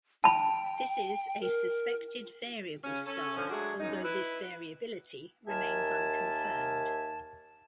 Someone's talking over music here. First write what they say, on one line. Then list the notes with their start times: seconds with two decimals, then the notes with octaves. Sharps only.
This is a suspected variable star, although this variability remains unconfirmed.
0.24 G5 A5 B5
1.41 A#4
2.83 C#3 C#4
3.05 C#4 A4
3.36 D3 F3 C#4
3.50 F#3 G#3 A3 D4 F#4 G#4
3.79 F#2 D#4
4.03 E4 B4
5.47 D#2 A#4 E5 G#5 A5